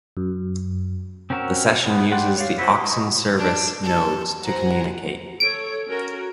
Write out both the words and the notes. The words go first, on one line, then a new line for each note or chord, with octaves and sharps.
The Session uses the Oxen service nodes to communicate.
F#2
C4 C#4 F#4 A#4 E6
B3
D5 F#5 G5 C6 F#6
C#5 D5 F5
B3 E4 F#4 C5
D#5 C#6 D#6
D4
A4
C5 F#5 G#5 A#5
A4 C#5 D7
C#4 F#4 A#4